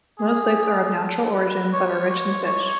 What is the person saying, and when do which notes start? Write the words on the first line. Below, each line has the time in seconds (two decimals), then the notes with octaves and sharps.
Most lakes are of natural origin, but are rich in fish.
0.19 G#4
0.96 A4
1.33 B4
1.73 C#5